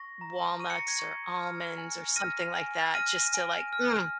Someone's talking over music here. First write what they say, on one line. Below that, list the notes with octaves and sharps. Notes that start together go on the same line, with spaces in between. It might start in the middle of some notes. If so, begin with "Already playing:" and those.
walnuts or almonds or something like that just to like, mm.
Already playing: C#6 A#6
A#5
C#6 D#7
C#7
A#6
G#6 C#7
C#6
F6
G#5
F6 A#6 D#7
G#5
F6 A#6 D#7
G#5
F6